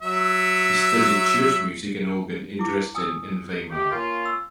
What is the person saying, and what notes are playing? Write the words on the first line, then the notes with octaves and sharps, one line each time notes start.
He studied church music and organ in Dresden and Weimar.
F#3 E5
E4 D6
G#5 D#6 E6
G4
A#3 C#4 F4
E6